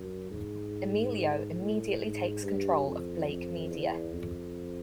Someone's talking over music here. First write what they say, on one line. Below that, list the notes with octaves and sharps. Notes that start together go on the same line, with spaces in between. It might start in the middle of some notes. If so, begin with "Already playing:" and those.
Emilio immediately takes control of Blake Media.
Already playing: F#2
G#2
A2
G#2
G2
F2
F2
E2
F2